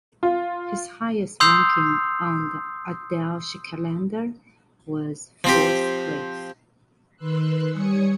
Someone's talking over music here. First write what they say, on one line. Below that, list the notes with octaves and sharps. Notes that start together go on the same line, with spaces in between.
His highest ranking on the Adelskalender was fourth place.
F4
C6 D#6 E6 G6 C7 F7
F3 C4 G4
D#3 B4 C6 E6 F#6
G3 C#5 G#5 D#6 C#7